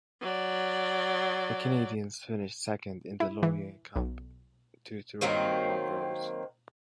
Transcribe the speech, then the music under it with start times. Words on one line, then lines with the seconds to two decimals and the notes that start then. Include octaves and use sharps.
The Canadiens finished second in the Laurier Cup to the Toronto Marlboros.
0.21 F#3 D5
3.20 E4
3.43 E3
3.96 B1
5.21 D#3 F#3 A#3 C4